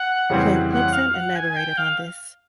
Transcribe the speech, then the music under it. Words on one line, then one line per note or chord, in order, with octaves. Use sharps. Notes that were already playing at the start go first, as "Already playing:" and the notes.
Clem Clempson elaborated on this.
Already playing: F#5
F2 C#3 E3 G3 C4
F#5
F5
F#5
G#5
G#5
G5
F5